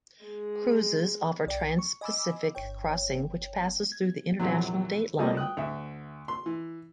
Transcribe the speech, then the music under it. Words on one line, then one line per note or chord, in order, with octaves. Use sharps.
Cruises offer transpacific crossing which passes through the International Date Line.
G#3
B1 D5 G5
C#6
D#5 G#5 B5 D6 E6
G1 C#5 G5
G#6
A#1 E2 C3 F#3
C#2 G3 A3 A#3 D#5
G5 D#6 F#6
D2 E5
C6
E3